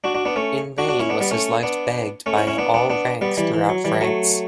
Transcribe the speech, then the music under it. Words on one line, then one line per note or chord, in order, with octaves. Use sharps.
In vain was his life begged by all ranks throughout France.
D4 F#4
D4 F#4
B3 D4
A3 C#4
D4 F#4
D4 F#4
C#4 E4
B3 D4
G3 B3
A3 C#4
B3 D4
A3 C#4
C#4 E4
C#4 E4
B3 D4
B3 D4
B3 D4
G3 B3
E3 G3
E3
F#3
E3 G3
F#3 A3